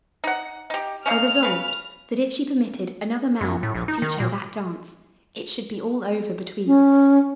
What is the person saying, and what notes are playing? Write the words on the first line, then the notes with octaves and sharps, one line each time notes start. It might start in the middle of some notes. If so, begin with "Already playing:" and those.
I resolved that if she permitted another man to teach her that dance it should be all over between us.
D#4 F#5
D#4 G4
C#4 D#4 F5 F6
C#3 B4
F#2
A2
A#1
D#4
D#3
A#2
C#4